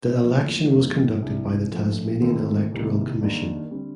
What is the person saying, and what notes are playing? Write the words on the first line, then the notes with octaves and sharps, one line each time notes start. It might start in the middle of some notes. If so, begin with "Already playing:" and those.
The election was conducted by the Tasmanian Electoral Commission.
A#1 A2 F3 A#3
F2 D3 G3 A#3 D#4
C2 C3 G3 D4
A#1 A#2 F3 A3
D#2 D#3 A3 C4 F4
C2 C3 D#3 G3 A#3
D#2 D#3 G3 A#3 D4
D3 G3 C4